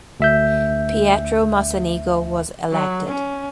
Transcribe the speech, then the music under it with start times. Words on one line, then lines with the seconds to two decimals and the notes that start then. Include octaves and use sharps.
Pietro Mocenigo was elected.
0.20 D2 E5 G6
2.72 F#3
3.07 C#4